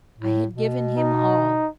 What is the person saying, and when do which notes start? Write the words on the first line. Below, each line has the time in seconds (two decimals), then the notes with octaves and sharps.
I had given him all.
0.19 A2
0.55 B2
0.97 D#4